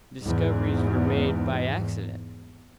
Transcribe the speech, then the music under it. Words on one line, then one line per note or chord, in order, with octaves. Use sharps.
Discoveries were made by accident.
E2 G#2